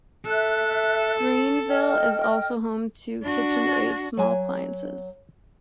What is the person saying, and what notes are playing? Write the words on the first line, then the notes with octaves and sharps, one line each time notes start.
Greenville is also home to KitchenAid small appliances.
A4 E5 F#6
D#5 G5 F6
D4 F#4
F#3 G#5